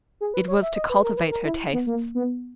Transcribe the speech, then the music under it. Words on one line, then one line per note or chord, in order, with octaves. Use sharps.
It was to cultivate her tastes.
G#4
B4
C#5
E5
D#5
B4
A#4
B4
A#4
E4
B3
A#3
B3